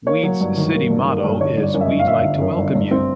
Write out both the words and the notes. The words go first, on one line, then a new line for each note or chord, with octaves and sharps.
Weed's city motto is "Weed like to welcome you".
A#3 C#5
F#3
G2
D#3
A#3
G2
A#3
G2
G1 C#5
G1
D5
F#2
E5
D#5
F#2
F5
G1 E5
G1
F#2
G1
G2
C4